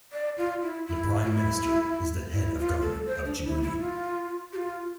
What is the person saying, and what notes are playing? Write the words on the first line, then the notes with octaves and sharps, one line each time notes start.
The Prime Minister is the head of government of Djibouti.
D5
F4
E4
E4
F4
E4
E4
F4
A4
C5
D4
E4
E4
F4
G4
F4